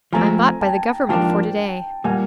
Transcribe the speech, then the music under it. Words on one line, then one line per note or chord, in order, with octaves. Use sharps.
"I'm bought by the government for to-day."
F3 A3 C4 G#5 A#5
G5 A5
G#2 F3 A#3 D4 G5 A5
A#2 G3 A#3 F#5 G#5